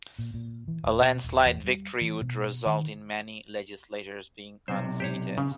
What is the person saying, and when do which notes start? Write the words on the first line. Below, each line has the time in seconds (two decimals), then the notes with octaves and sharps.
A landslide victory would result in many legislators being unseated.
0.18 A#2
0.34 A#2
0.68 E3
0.84 D#1
1.02 B2
1.24 D#1
1.45 E2
1.64 G3
2.01 E3
2.21 B2
2.66 D#3
4.68 B1 C3 C5
5.00 G4 C5 C#5
5.38 C#3